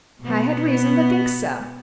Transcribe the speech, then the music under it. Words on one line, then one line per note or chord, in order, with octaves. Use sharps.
"I had reason to think so."
B2 B3